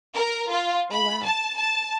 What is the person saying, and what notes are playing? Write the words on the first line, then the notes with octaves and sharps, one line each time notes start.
Oh, wow.
A#4
F4
B5
A5
A5